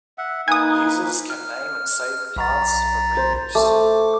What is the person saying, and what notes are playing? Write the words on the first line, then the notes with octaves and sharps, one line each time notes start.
Users can name and save paths for reuse.
E5 F#5
A#3 D#4 B4 G#5 D#6
F6
B1 A#5 A6
C5
A3 D6 E6